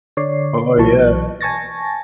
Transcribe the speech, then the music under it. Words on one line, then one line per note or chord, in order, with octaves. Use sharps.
Oh, yeah.
D3 C#5 D5 C7
B1 E3 F#3 A5 C#6
G#5 A5 C#6 A6 A#6